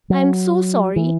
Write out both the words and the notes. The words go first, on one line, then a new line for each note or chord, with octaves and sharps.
I'm so sorry.
F#3
E3